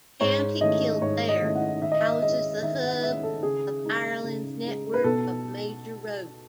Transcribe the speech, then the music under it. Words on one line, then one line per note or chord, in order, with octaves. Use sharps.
County Kildare houses the hub of Ireland's network of major roads.
G#2 C#5
D#3 A3 C#4 E4 D#5
G#2 C#5
D#5
D#3 A3 C#4 E4
F#5
D#3 E5
D#5
E5
G#3 C#4 D#5
D#3 E5
F#5
G#3 C#4 E5
A4
C#3 G#4
G#3 D#4
C#3
G#3 D#4
B4
B2 A4